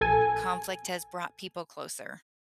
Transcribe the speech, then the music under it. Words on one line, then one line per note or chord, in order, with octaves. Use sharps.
conflict has brought people closer?
A#1 A4 G#5